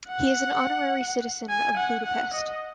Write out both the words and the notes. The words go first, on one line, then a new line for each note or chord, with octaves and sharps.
He is an honorary citizen of Budapest.
F#5
G#5
F#5
F#5
D#5